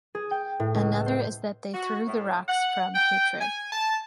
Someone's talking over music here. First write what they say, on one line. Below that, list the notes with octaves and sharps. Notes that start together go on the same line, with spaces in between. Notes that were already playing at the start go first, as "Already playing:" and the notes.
Another is that they threw the rocks from hatred.
G#4
G5
A2
C#2
A4
C5
F#4
A2
F#5
G5
G#5
A5